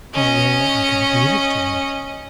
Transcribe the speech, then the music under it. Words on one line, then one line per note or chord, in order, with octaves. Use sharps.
How well I can prove it to you!
C#4 D#5